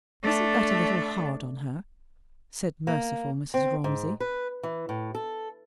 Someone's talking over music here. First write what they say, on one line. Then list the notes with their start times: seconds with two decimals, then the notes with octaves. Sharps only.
"Isn't that a little hard on her?" said merciful Mrs. Romsey.
0.23 A3 D4
2.87 A#3
3.54 C4
3.84 G#2
4.20 B4
4.63 E3
4.89 A2
5.15 A4